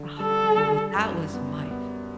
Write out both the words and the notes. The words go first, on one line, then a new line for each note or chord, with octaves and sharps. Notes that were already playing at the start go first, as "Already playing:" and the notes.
Ah, dude that was my
Already playing: D3
G3 A4
G3
F#2
B3
B3